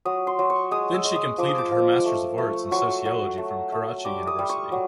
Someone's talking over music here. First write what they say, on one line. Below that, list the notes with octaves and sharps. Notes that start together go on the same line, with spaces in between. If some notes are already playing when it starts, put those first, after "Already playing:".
Then she completed her Masters of Arts in Sociology from Karachi University.
F#3 D#6
C6
F#3
C#6
G#3 D#6
E6
G#3
D#6
F3 D6
D#6
D6
F3
A3
A3
F#3 C#6
F#3
A3
A3
G3 D6
D#6
G3
C#6
F#3